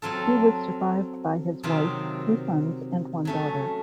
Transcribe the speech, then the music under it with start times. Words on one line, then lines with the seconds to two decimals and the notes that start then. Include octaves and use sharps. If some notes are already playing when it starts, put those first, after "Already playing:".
He was survived by his wife, two sons and one daughter.
0.02 F#3 C4 F4 A4
1.63 C3 D#3 F#3 C4 F4
3.25 F#3 A3 C#4